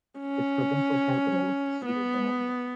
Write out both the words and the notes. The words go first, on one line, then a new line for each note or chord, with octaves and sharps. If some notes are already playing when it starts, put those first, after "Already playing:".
Its provincial capital was the city of Bologna.
C#4
B3